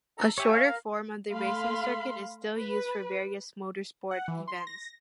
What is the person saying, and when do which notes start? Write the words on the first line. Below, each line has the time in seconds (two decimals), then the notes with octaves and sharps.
A shorter form of the racing circuit is still used for various motorsport events.
0.18 A4 A#5
0.38 G4 C#5 E5 G#5 C#6
0.51 F5
0.65 A#4
1.31 A3 F5 B5 C6
2.57 B4
4.11 F#5
4.28 E3
4.48 C6
4.67 A#6